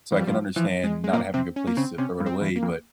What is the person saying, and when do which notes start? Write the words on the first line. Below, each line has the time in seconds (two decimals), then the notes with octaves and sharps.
so I can understand not having a place to throw it away, but
0.12 E2
0.17 F2 G3
0.27 G2 F3
0.56 E3 F3
0.84 G#3
1.04 G#3
1.13 A#2 A#3
1.34 C3 C4
1.56 C#4
1.67 A#3
1.77 C#3 C4
1.98 C3 C#4
2.20 G2
2.26 C4
2.41 E2
2.56 A#3
2.63 F2